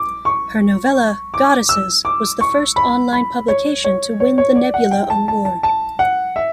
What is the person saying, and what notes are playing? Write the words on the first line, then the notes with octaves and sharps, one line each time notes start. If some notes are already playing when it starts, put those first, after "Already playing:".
Her novella "Goddesses" was the first online publication to win the Nebula Award.
Already playing: D6
C#6
D6
E6
D6
C#6
B5
B5
C#5
C#5
C#5
C#5
D5
F#5
G5
A5
A5
A5
A5
F#5
E5